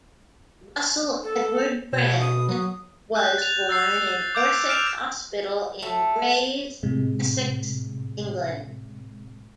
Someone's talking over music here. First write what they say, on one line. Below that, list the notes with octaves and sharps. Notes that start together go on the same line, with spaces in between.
Russell Edward Brand was born in Orsett Hospital in Grays, Essex, England.
A4
B2 C#5
D#6
F#3
F#6 G6
A6 F7
E6 A6 C7
D6 G6 D7
F6 D7 E7 F7
A3
A2 C3 G#3